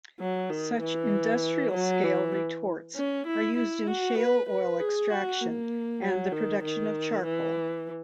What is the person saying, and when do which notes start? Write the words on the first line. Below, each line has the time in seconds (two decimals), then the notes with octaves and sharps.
Such industrial-scale retorts are used in shale oil extraction and the production of charcoal.
0.20 F#3
0.50 D#3
0.81 E3
1.73 F#3
2.03 E3
2.95 C#4
3.26 E4
3.57 E4
3.87 F#4
4.18 B4
4.49 B4
4.79 G#4
5.10 F#4
5.41 A#3
6.02 F#3
6.32 D#3
6.64 D#3
7.25 E3